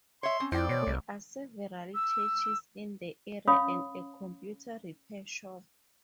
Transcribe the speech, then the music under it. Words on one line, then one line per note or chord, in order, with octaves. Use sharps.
There are several churches in the area and a computer repair shop.
C#5 E5 C6
C4 C#4
F2 E4 C5 D5 G5
B2 C#5
C2
E6
C#4 C#5 F5 B5 D#6